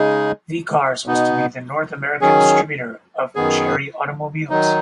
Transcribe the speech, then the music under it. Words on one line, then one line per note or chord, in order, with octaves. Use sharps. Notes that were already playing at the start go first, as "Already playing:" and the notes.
V Cars was to be the North American distributor of Chery Automobiles.
Already playing: C#3 G#3 D#4 G#4
B2 B3 D#4
D#3 F#3 C#4 G#4
F#2 D#3 B3 G#4
D#3 F#3 D#4